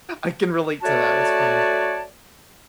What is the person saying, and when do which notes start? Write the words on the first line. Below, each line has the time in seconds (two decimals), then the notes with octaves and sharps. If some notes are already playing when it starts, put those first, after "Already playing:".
I can relate to that, it's funny.
0.83 A3 F#4 C#5 D5 A5